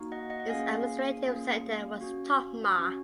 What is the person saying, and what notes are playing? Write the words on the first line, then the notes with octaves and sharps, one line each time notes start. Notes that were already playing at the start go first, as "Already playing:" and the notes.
Its administrative centre was Totma.
Already playing: A#3 D#4 F#4
D#5 F#5
D#5 F#5
F#5
A#3 C#4 F4 G#4 F5 G#5
A#3 C#4 F4 G#4
C#4 F#4
C#4 F#4